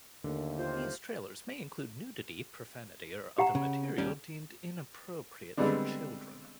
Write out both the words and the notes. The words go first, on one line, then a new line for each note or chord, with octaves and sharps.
These trailers may include nudity, profanity or other material deemed inappropriate for children.
D#2 D3 A3 A#3
F4 G4 A#4 C5
G4 F#5 A#5
C#3
D#2 G3 C#4
D3 G3 G#3 B3 C4 D4